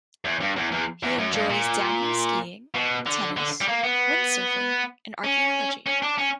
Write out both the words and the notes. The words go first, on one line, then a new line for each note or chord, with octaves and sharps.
He enjoys downhill skiing, tennis, wind-surfing, and archeology.
E2
G2
E2
E2
E2
F#2
G2
A#2
B2
D3
D3
G3
A#3
B3
C#4
C#4
D4
C#4